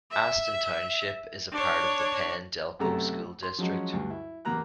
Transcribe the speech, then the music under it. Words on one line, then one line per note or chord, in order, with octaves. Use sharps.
Aston Township is a part of the Penn-Delco School District.
E5
D4 C#5
B1 F#2 C3 A3 A4 A#5
C6
F3 F#3 G#3 C#4
D2 G2
E4
A1 E2 A#3 A#5 F#6